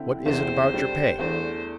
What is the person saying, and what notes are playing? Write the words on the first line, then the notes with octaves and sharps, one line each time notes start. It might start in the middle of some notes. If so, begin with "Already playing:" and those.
"What is it about your pay?"
Already playing: D3 C4 E4
E2 D3 C4 E4 C5
D3 G3 D4
E2 E3 A3 D4 C5